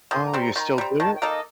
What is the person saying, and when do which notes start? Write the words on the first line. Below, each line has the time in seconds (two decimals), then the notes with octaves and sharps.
Oh, you still do it?
0.11 D#3 C6
0.26 A#5
0.33 G3 C4
0.41 A#5
0.56 D#3 A#5 C6
0.78 G3 C4
1.00 D#3 A5
1.15 G5
1.22 A#3 D#4 A4
1.29 D#5